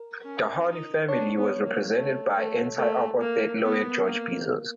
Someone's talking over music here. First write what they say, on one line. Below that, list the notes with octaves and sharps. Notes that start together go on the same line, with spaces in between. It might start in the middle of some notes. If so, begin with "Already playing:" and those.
The Hani family was represented by anti-apartheid lawyer George Bizos.
Already playing: A#4
C#4
D#4
D4 C#5
B3
A#3
A3
A3
A3 A#4
A#3
B3
A#3